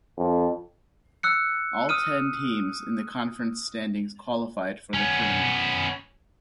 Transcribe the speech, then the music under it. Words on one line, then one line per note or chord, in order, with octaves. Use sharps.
All ten teams in the conference standings qualified for the tournament.
F2
E6 F#6 C#7
D#6 F6 D#7
B3 C#4